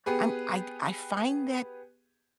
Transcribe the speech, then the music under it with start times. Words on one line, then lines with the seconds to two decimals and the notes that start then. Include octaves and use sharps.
I'm I'd I find that,
0.06 B3 G4 G#4 B4